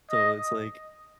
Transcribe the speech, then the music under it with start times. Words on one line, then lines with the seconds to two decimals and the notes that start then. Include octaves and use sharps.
So it's like
0.11 D#5